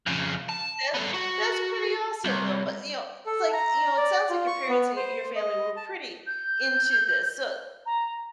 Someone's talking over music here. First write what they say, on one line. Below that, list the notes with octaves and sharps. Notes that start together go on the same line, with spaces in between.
that's that's pretty awesome, though, but, you know, it's like you know, it sounds like your parents and y your family were pretty into this, so,
F2 C#3
A5
B3 A4
F#4
C2
A4
A#5
D5
F4
C#6
B3
C5
D#5
A5
G6
A#5